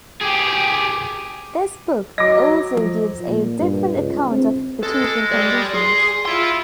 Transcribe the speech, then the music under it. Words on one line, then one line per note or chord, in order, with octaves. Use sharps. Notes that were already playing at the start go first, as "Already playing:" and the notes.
This book also gives a different account of the teaching conditions.
G4 G#4
F#3 D#5 D6 A#6
F3
A#2
G2
C#2
C4
G#3 A4
G3 D5
G#4 C6
E4 F4 C6